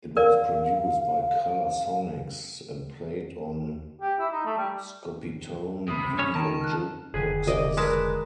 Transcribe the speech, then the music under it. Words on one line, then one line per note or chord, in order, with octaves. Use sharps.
It was produced by Color-Sonics, and played on Scopitone video jukeboxes.
A#4 D5 F5
G4
E4
D#4
A3
G3
C3 B5 D#6
C#4 C#5
D#3 A5
F6 F#6
F1 D3 D#3 G#4 B4 G#5
C2 D5 D#5
G#3 A#4 B4 A5